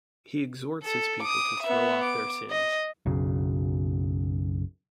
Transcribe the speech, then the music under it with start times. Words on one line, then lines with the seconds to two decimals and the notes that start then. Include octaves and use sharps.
He exhorts his people to throw off their sins.
0.83 A4
1.22 D6 D#6
1.62 B3 E5
2.04 D6
2.50 D#5
3.06 B1 F#2 C#3